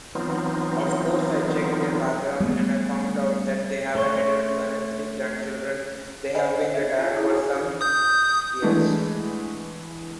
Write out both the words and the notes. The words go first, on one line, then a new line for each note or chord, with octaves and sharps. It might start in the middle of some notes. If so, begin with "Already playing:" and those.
Of course I checked their background and I found out that they have an adult son and three grandchildren, they have been retired for some years...
E3 F#3 B3 C4 D#4 F4
G3 A3 B3
A3 C#5 C6
C5 C#5 D#5 F#5 G#5 B5
D#5 F#5 G#5
E5
D4 F4 A5
D#4 E4 G#4 A4
F#4 G#4 F#5 G#5
D#6 G6
E3 G#3 A3 B3 D4